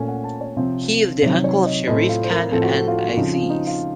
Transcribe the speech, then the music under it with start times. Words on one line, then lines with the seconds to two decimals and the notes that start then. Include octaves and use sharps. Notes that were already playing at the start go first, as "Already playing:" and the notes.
He is the uncle of Sharif Khan and Aziz.
Already playing: A#2 A3 C#4
0.08 F#5
0.24 A5
0.41 C#5
0.56 C3 F3 C4
1.22 C3 D#3 F#3 C5
1.44 C#5
1.66 D#5
1.87 A2 A3 C4 D#5
2.09 F4
2.24 C5
2.31 A#4
2.52 A2 F3 C4 A4
2.64 F#4
2.74 A4
2.88 F4
2.96 F#4
3.17 C#3 F3 C4 D#4
3.34 F4
3.50 D#4
3.67 F4